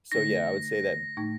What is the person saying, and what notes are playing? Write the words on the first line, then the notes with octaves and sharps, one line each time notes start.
so, yeah, I would say that, eh,
D3 A3 D#4 A#6
A2 A3 D#4